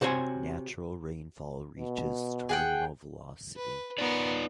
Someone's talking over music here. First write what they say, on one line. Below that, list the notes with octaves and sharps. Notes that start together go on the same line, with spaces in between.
Natural rainfall reaches terminal velocity.
C3 F#4 C5 C#5 G#5
B2
G#4 F#5 G5
B4
B3 D#4 F4 A#4 D5